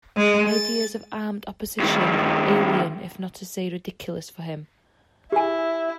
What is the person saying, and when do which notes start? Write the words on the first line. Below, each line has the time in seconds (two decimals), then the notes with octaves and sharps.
Ideas of armed opposition are alien if not to say ridiculous for him.
0.17 G#3
0.50 A6
1.80 G2 D#3
5.32 E4 G4 G#5